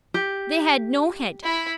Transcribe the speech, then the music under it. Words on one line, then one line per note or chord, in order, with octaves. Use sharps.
They had no head.
G4
E4 B5